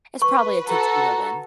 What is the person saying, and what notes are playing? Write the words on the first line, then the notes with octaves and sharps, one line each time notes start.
It's probably a tuxedo then.
B4 C#6
F#4 A4 A#5